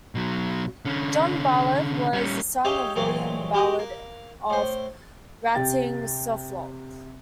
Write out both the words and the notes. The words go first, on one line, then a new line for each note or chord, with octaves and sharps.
John Ballard was the son of William Ballard of Wratting, Suffolk.
B2 F#3
D3 C#4
G3 C#4
D#4 G4 G#4 C#5 E5 F5
A#2 E3 F#3 G#3 A3 C4
F#4 G4 A#4 F#5 D#6
A#3
A2 C5
C3 G4 G5 A6